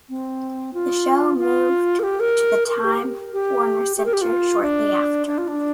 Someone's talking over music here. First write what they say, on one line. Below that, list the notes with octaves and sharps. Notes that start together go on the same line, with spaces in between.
The show moved to the Time Warner Center shortly after.
C4
F4
F4
A#4
G4
A#4
A#4
G4
G4
G4
A#4
G4
F4
D4
D4
F4
D4